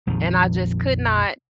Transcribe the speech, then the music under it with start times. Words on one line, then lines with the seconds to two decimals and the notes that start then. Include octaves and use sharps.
And I just could not
0.07 A#1 F2 D#3 F3